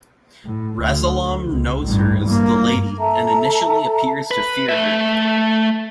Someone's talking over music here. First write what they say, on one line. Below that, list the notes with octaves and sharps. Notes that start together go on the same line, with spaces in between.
Rasalom knows her as The Lady, and initially appears to fear her.
A2
D2
C#2
A1 G2
G2 A#3
A4 E5 A5 A#5
B4
A3 E5